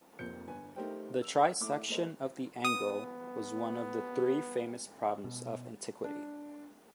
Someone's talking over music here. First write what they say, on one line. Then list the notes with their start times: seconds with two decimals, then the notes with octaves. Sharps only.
The trisection of the angle was one of the three famous problems of antiquity.
0.19 F1 F2 A#3 C4 G6 C#7
0.47 G1 B4 G#5
0.76 A3 D#4 G4 A#4 C5 G5
1.22 E6 F7
1.60 A3 E4 D6
1.89 A3 G#4 A#4 C5 D#5
2.65 B3 D#6
5.24 B2
6.04 D4